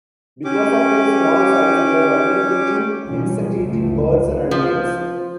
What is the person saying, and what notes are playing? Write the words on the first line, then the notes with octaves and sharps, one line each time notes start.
Because of their small size, they are vulnerable to insect-eating birds and animals.
C#4 G4 D6
B2 E3 F3 G3 C#4
C#2 G2 C#3 F3 A3
F3